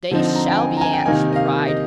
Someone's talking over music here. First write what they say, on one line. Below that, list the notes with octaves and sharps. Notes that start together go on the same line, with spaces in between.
"They shall be, aunt!" she cried.
D3 F3 C4 D#4
A#5
G5
G#5
A#5
G#5
G5
C3 D#3 A#3 D#4 G#5
D#5
F5
D#5